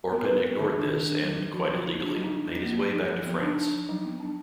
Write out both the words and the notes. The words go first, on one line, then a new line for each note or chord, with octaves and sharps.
Orpen ignored this and, quite illegally, made his way back to France.
B3 A#4
B3 B4
A#4
B3
D#3 G#4
D4
D#3
D4
F#3
F#3
F3 F#4
F3
F4
F3
D4 F4
F#3
D#4
D4
F#3
A#3
F#3
F3
F3
B3
D4 D#4
D4
F3
F#3 D#4
B3
D4